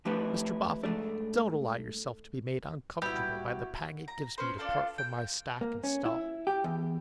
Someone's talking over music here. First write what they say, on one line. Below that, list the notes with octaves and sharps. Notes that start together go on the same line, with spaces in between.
Mr Boffin, don't allow yourself to be made uncomfortable by the pang it gives me to part from my stock and stall.
F3 A3 D4 E4 G4 B4
G#2 A3 D4
C2 A#2 G3 B3 E4 F#4 G4
A#5
C#4 B4 C5
D4 F4 A4 F5
G5
A#3
C#4
E4
G4
E2